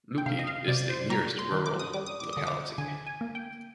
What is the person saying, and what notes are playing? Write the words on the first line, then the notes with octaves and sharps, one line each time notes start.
Luki is the nearest rural locality.
G5
C3 F5
D#5
F5
C3 D5
C5
G3 A#5
C6
D#3
D6
D#6
G3 D6
D#6
D6
D3 D#6
D6
D3 G#5
G#5
A#3
G5